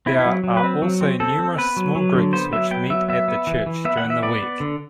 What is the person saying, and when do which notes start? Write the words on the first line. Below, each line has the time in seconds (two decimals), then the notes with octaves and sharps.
There are also numerous small groups which meet at the church during the week.
0.06 C4 E4
0.19 E4
0.25 F#3
0.44 F#3
0.57 B4
0.63 C4
0.82 F#3
1.01 C4
1.20 C4 A4
1.39 C4
1.58 B3 B4
1.77 F#3
1.95 F#3
2.14 D3
2.33 B3 C5
2.52 F#3 E5
2.71 B3 G5
2.90 F#3 E5
3.08 B3 E5
3.28 B3
3.47 E3
3.66 E3
3.85 B3 E5
3.97 F#5
4.04 E3
4.10 E5
4.23 B3 D5
4.42 B3
4.60 D3